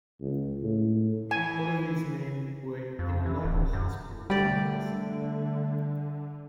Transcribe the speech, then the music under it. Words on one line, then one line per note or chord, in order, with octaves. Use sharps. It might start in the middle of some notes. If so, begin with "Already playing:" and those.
All of these men were in a local hospital "convalescing".
C#2
A2
E3 G#5
F2
E3
D1
F#2
D3 G3 A3 G4 D5